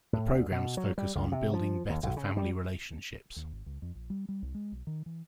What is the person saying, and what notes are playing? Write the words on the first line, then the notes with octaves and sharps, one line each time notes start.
The programs focus on building better family relationships.
A2
D2
B2
F#3
G3
C#2
C3
F3
D#2
B1
C#3
G3
D#2
G#1
C#2
F2
A#1
G3
G3
C2
G#3
B1
D#3
E3